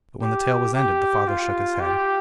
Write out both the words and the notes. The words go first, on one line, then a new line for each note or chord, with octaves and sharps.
But when the tale was ended the father shook his head.
G4
G4
F4
G4